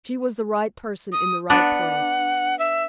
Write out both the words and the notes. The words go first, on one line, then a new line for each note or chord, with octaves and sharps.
She was the right person in the right place.
D#6
B3 D4 F#5
E5